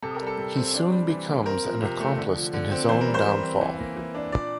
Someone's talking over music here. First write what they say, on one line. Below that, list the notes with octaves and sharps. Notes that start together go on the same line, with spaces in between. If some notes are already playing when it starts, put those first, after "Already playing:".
He soon becomes an accomplice in his own downfall.
C3 A4
A#4
G3
A4
C3
C4
D4
G3
E3
A#3
C4 A#4
F3
C3
A3
D3
F3
D3
C4
E3 C5
A#4
G3
C5
E3
C4
E3
A#3
E3
D4
A#2 D5